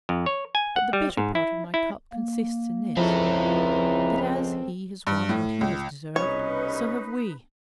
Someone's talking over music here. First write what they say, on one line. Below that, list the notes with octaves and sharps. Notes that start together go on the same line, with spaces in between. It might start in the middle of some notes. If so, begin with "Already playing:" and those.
But the bitter part of my cup consists in this,--that as he has won what he has deserved, so have we.
F2
C#5
G#5
F#5
G3
G#2
E4
E4
A#3
C#2 F3 C4 E4 A4 E5 A#5
G2
A2
C#2
C2 B2 C#4 D#4 B4 C#5 D#5